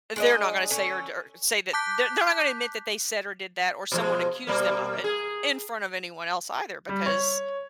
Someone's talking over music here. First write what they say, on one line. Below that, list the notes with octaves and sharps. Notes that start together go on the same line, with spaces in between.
they're not gonna a say or d or say that they're they're not gonna admit that they said or did that or someone accused them of it in front of anyone else either because,
G#3 D4 D#5
D3 C#4
A5 D6 F#6 G6 B6
B2 F3 G#3
B2 G3 A#3
G#4
G3
C#5